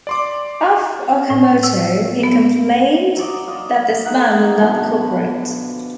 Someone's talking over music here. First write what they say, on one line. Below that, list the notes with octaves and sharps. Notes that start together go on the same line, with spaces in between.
Of Okamoto, he complained that this man will not cooperate.
D5 C6 D6
A2
E6
B3
F#3 D5 D#5
F4 D#5
A#3 D#4 F#5
B2 D3 F3
B5